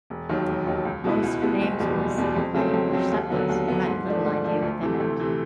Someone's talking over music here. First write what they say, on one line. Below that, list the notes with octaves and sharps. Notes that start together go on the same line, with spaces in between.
Most names were received by English settlers who had little idea what they meant.
E1
D#2 D#3 F#3
E1
D#2 D#3 F#3
C#2
B2 G#3 B3 E4
C#2
B2 G#3 B3 E4
F#1
E2 B2 G3
F#1
E2 B2 G3
F2
C#3 F#3 A3 C4
F2
C#3 F#3 A3 C4
D#2
D3 F#3 B3
D#2
D3 F#3 B3
G#2
F3 A3 D4
G#2
F3 A3 D4
D2
C3 E3 A3
D2
C3 E3 A3